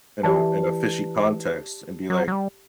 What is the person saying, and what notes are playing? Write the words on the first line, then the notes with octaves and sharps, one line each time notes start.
in a in a fishy context and be, like,
E3 G4 D5 A5
F#3
F#3
G3